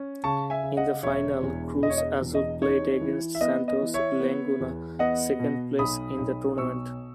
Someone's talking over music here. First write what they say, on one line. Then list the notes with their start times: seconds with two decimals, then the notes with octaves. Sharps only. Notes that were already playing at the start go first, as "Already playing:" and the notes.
In the final, Cruz Azul played against Santos Laguna, second place in the tournament.
Already playing: C#4
0.24 C#3 A5 C#6
0.50 E5 G#5
0.63 C#3
0.77 D#5 F#5
1.03 E1 C#5 E5
1.43 E2
1.82 E1 D#5
1.90 C#5
1.98 D#5
2.22 E2
2.35 D#5
2.62 D#4 C#5
3.01 E3
3.35 E5
3.41 B3 D#5
3.68 D#5
3.81 E3
3.94 C#5 E5
4.20 B3
4.60 E2
4.99 B3 D#5 F#5
5.40 B2
5.79 B1 B5 D#6
6.19 B1
6.58 B2 C#6 E6